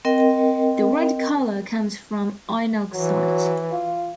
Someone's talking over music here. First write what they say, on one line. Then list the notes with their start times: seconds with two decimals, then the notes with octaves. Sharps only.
The red color comes from iron oxide.
0.05 C4 A#4 D#5 G5
2.93 E3 F#3
3.72 F4